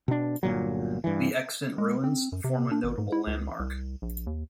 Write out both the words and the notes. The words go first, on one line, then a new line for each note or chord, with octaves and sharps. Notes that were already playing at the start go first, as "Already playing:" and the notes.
The extant ruins form a notable landmark.
B2 D4
G1 A#2 F#3
G2 E3
G#3
C4
F#2
C3
D4
G#1
G#2
E4
C#2
C2
A#1
D#2